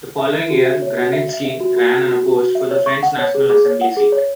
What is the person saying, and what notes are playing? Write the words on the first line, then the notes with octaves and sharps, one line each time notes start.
The following year Grunitzky ran unopposed for the French National Assembly seat.
E5
E5
F#4
E5
C#5
F#4
E5
E5
E5
F#4
F#4
F#4
F#4
F#4
F#4
E5
C#5
C#6
F#5
C#5
G#4
G#4
C#5
F#5
G#4
C#5